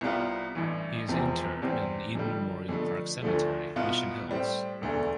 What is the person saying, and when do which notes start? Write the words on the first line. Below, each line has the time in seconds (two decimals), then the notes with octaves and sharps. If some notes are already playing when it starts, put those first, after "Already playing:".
He is interred in Eden Memorial Park Cemetery, Mission Hills.
0.01 C2 C3 G3 B3 F4
0.55 A1 G2 E3
1.08 E1 E2 C3 F3 C4
1.62 E2 C3 G3 C4
2.15 F2 D3 G3
2.69 F2 D3 A3
3.22 D2 D3 F3 A3
3.76 C2 B2 B3 F4
4.29 A2 G3 C4
4.81 E1 D2 D3 A3